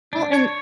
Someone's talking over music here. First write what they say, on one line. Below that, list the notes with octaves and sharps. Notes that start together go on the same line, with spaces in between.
Well, and
D4
C#5